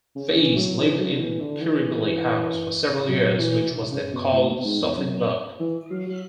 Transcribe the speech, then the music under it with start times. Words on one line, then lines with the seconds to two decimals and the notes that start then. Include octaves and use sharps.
Feez lived in Kirribilli House for several years which was then called Sophienberg.
0.15 C#3
0.35 E3
0.56 F#3
0.78 E3
0.99 F#3
1.12 D3
1.19 E3
1.40 D3
1.61 E3
3.08 F#3
3.39 E3
3.92 C#3
4.13 B2
4.34 A2
4.50 B2
4.65 G#2
4.81 E2
4.97 F#2
5.60 E3
5.90 F#3
6.07 F#3